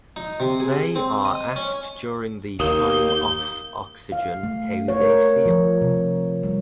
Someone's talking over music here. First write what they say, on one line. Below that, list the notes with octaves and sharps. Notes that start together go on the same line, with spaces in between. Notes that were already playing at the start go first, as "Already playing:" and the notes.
They are asked during the time off oxygen how they feel.
D#4
C3
G#4
C4
D#5
C#4
D#2 A#3 D#6 G6
F5
A3
C#5
A#4
F3
C3
G3